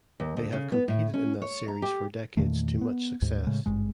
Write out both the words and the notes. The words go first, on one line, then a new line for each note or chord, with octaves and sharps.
They have competed in that series for decades to much success.
D#2
D2
C#3
B3
A2
C#4
C#5
A#5
G4
E2 A#2 D#3 A3
B3
D2 G#2
A2 C#3 G#3
G#1 G2 G#3